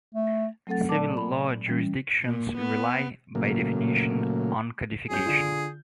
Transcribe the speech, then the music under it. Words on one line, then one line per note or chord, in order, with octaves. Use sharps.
Civil law jurisdictions rely, by definition, on codification.
A3
F#3 A3 C4 A4 F#5 A6
A#2 D5 A5 D6
B5
E3 G3 C#4
A#2
B3
A#2 C#3 F#3 A3 A#3
F#2 C#4 G#4 G6
D3 F4